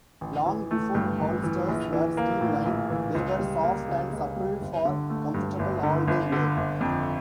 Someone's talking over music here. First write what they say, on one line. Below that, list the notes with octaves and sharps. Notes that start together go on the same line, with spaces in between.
Long before holsters were steel-lined, they were soft and supple for comfortable all-day wear.
A1
E3
A3
G2
A1
E3
A#1
E3
A#3
A2
A#1
E3
C#2
G3
A#3
C#3
C#2
G3
G1
D3
A3
G2
G1
D3
G1
D3
G1
F2